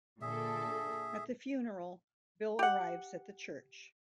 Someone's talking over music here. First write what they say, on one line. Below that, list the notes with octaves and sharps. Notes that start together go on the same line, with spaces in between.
At the funeral, Bill arrives at the church.
A#2 D3 G#4 A4 E5
G4 F#5